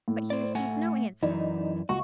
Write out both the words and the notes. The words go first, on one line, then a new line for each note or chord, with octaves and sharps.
But he received no answer.
A2
C5 D5
A3 F#5 G#5
F#2 E3 D#4 D5
C#2 F#4 C#6